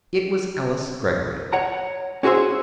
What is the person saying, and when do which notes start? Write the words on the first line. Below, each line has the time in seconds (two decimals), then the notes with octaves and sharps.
It was Alice Greggory.
1.53 C#5 F#5 A#5
2.23 C#4 F#4 G#4 C5 E5